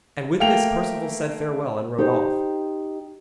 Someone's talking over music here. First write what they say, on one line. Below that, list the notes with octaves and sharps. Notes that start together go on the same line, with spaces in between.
And with this Perceval said farewell and rode off.
A3 A#3 G5 F7
D#4 G4 C5